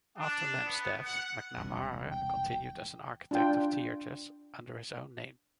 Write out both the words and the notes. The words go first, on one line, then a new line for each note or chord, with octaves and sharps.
After Lamb's death, McNamara continued as an architect of theaters under his own name.
D4
B3
F#5
E1 C2
G5
D4 F4 G5